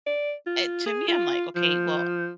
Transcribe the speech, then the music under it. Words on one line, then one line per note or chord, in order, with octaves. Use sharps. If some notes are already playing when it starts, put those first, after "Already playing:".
eh, to me, I'm like, "Okay, well"
D5
F4
G#4
F4
F3